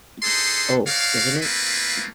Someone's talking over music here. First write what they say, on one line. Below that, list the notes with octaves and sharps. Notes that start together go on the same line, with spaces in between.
Oh, isn't it!
D4 D#4 G#4 A4 C5 C6
D#4 F#4 C#5 D5 F5
A3 A#3 C4 E4 F4 B4